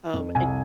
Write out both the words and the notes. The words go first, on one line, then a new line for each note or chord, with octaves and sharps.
Um, and
F2
C2 G#5